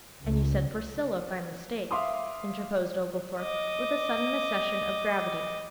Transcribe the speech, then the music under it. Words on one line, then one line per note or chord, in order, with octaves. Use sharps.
"And you said Priscilla by mistake," interposed Oglethorpe, with a sudden accession of gravity.
C#2
E5 F5 C6 D6 D#6
D#5 D6